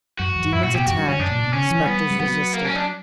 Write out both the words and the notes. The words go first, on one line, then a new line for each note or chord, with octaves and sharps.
Demons attacked, spectres resisted.
F#2 F#4
E2
G2
F#2 E4
A#2 F#4
B2 G4
F#2 F#4
G2
D3 C#4
F#2 D4
A#2
B2
C#3 C#4
E3
G3 B3
G3
F#3 B3
A#3
C#4
D4